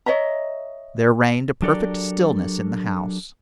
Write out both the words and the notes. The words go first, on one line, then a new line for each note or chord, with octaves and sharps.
There reigned a perfect stillness in the house.
C#5 D#5 E5 A#5
F#3 D4 G4 A4 A#4 D5